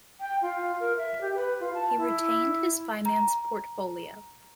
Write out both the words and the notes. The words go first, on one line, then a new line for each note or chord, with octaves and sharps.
He retained his finance portfolio.
G5
F4
A#4
E5
G4
B4
F4
A5
E4
A#5